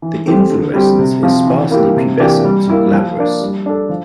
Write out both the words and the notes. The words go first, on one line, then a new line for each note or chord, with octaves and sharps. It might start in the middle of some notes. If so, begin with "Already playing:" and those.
The inflorescence is sparsely pubescent to glabrous.
E3
A3 C4 G4
D3
G3 C4 G4
C3
F3 C4
E3
A#3 E4 G4
C3
E3 A#3 D4 G4
G3
A#3 E4 G4
F3
A#3 D4
G3
D4 A4
F3